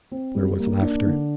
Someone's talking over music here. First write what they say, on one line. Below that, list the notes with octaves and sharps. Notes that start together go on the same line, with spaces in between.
There was laughter.
C4
G3
A#3
D4
D3